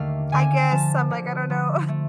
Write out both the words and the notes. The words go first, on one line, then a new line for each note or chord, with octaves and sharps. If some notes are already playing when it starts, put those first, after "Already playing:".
I guess I'm, like, I don't know,
Already playing: D#2 D3 A3 F5
D3 G#5
F3 A5
D3
F3
A3